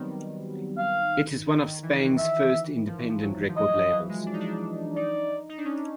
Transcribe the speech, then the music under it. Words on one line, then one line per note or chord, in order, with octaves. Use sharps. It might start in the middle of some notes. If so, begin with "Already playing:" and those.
It is one of Spain's first independent record labels.
Already playing: D#3 F#3 G3 B3 C4
F5
D#3
E3
D#3
E3
D#3 E5
E3
E3
F3
E3
F3
F#3
F3
F#3 D#5
F#3
F3
E3
G#3
D4
D#4
D4
D#4 D5
D#4
D4
C#4